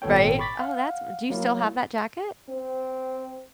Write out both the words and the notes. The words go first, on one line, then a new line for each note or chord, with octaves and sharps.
Right? Oh, that's do you still have that jacket?
G#1 A#2 B3 A4 C#5 G5
B5 C#6 D6 A6 B6
F5 F#5
F#3 A#3 E4
C4